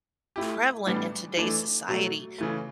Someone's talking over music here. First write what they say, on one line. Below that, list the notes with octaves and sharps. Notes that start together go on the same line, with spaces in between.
prevalent in today's society,
A3 E4 G4
A2 E3 G3 B3 D4
E3 A3 D4
B2 F#3 A3
C#3 E3 A3